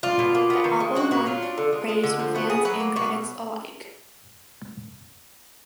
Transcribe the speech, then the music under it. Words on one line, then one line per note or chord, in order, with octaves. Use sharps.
The album won praise from fans and critics alike.
D4 F4
B2
A#3
B3
D#3
G#3
A#3 F#4
A#2 F#4
F#3 F4
D4
D3
G#3
G#3
D3
F3
B3 F#4
B2 G#4
F#3 B4
A#3
B2 F#4